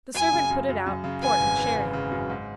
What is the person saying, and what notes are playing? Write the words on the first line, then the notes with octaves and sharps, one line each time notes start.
The servant put it out, port and sherry.
F#2 G#5
C#3
F#2
F#2
F#2
C#3
E3 G#5
G#1
E3
C#3
C#3
F#2
G#2